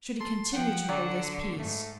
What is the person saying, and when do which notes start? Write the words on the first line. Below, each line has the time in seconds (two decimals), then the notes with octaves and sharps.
Should he continue to hold his peace?
0.20 A4 C6
0.53 F3 F#5 G5
0.89 D3 F#3 D5
1.59 G#2 A3